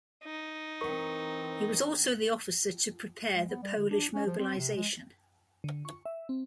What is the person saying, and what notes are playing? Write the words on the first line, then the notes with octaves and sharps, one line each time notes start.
He was also the officer to prepare the Polish mobilization.
D#4
E3 C4 A#4 C#6
G#3
B3
G3
D3
D4
C#4
F3
C4
C3
G#3
D3
C#6
E5
C4